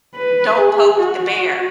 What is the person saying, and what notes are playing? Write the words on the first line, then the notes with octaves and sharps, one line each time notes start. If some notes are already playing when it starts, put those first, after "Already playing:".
don't poke the bear
B4
G#4
F#4